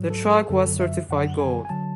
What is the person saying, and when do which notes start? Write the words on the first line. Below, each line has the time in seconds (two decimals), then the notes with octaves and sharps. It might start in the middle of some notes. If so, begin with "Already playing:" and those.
The track was certified gold.
Already playing: G#2 F#3
0.10 A4
0.29 A4
0.44 G#4
0.49 F#2 D3 F#3 A4
0.80 E5
1.09 F#2 D3 F#3 F#5
1.40 G#5
1.65 G#5
1.70 D3 F#3 A5